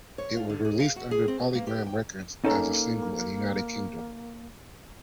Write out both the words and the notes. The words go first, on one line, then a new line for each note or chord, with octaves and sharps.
It was released under PolyGram Records as a single in the United Kingdom.
C#5
F4
D3
G#4
F5
F#4
G#4
C4
B3
A#3
G4
G5
A#3 C#4 D#4 A4 A#5